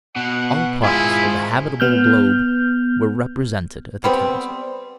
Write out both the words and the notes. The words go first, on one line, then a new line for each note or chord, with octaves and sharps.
All parts of the habitable globe were represented at the Council.
B2 F#5
G#2 E4 F4 G#4 B5
B3 F6 G6
G3 B3 C4